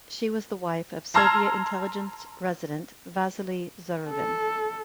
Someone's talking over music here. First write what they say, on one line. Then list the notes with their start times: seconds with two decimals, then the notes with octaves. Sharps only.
She was the wife of Soviet Intelligence Resident Vasily Zarubin.
1.14 A5 A#5 C6 E6 F6 G#6
4.10 A4